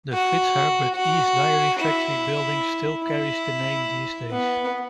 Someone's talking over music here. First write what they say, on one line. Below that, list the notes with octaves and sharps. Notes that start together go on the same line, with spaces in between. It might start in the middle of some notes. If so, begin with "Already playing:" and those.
The Fitzherbert East Dairy Factory building still carries the name these days.
F#4
F#4
E4
E4
B3